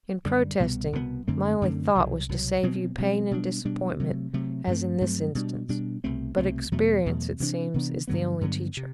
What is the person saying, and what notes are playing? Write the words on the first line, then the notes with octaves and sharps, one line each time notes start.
In protesting, my only thought was to save you pain and disappointment--as in this instance--but experience, it seems, is the only teacher.
F#2 D3 G3
C2 B2 G3 B3
C2 B2 G3 B3
F#2 D3 A3 C4
F#2 D3 A3 C4
C2 B2 F#3
C2 B2 F#3
B2 F#3 C4
B2 F#3 C4
B2 G3 D4
B2 G3 D4
C3 F#3 A3
C3 F#3 A3
G2 F#3 A3 C4
G2 F#3 A3 C4
B2 G3 D4
B2 G3 D4
C2 B2 A3 C4
C2 B2 A3 C4
E2 B2 F#3 A3
E2 B2 F#3 A3
C3 E3 B3 D4
C3 E3 B3 D4
G2 D3 F#3 B3
G2 D3 F#3 B3
C3